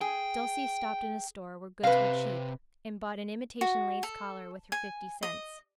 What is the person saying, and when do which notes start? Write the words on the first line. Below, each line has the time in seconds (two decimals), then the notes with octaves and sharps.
Dulcie stopped in a store where goods were cheap and bought an imitation lace collar with her fifty cents.
0.01 G#4 G5
1.83 C3 B4 F5
3.61 F#4
4.03 A4
4.72 G#5
5.23 D#5